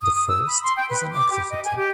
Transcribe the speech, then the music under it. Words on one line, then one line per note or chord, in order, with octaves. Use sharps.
The first is an active attack.
D#6
D#6
E6
B5
C6
G5
B4
D6
G4
D#5
G#5
G4